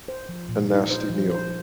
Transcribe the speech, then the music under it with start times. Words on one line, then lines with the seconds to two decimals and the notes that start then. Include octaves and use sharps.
a nasty meal.
0.08 C5
0.29 F3
0.49 A#2
0.69 D#4
0.89 C5
1.10 F3
1.30 C5